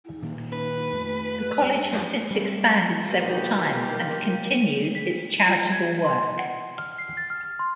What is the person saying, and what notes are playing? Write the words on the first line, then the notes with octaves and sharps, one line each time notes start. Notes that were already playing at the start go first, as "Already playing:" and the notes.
The college has since expanded several times and continues its charitable work.
A#2 D#3 A#3
B4
F2 A3
G2
F#2 F3
G3 C4
E2 G#2 B2 D#3 A#3 F4 G4
B6
F4
G#6
C6
F#5
F6
C7
A6
F6
C6